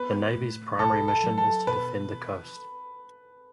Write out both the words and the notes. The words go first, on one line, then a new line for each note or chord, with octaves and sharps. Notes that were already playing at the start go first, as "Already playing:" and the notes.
The Navy's primary mission is to defend the coast.
Already playing: B3 B4
A2
B1 A4
A4
F#3
A4
B2 B4